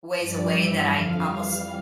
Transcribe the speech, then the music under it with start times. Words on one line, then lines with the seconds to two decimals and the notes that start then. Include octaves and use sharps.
ways away that I almost
0.19 G2 F3 D5
0.54 G2 E3 G3 E5
0.88 F2 D3 F3 F5
1.22 F2 E3 G3 F5